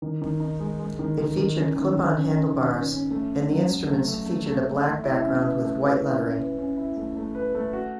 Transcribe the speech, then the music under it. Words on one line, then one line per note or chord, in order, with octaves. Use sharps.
It featured clip-on handlebars and the instruments featured a black background with white lettering.
D#3
D#3
D#4
G#3
G#3
D#3
D#3
D#3
C#4
D#3
D#3
C#4
C#4
D#3
C#4
C#4
A3
C#4
F#3
F#3
A3
A3
A3
A3
A3
A3
E4
C#4
B4
A3
B4
E4
C#4
B4
C#4
E4
A3
A3
B4
A3
F#4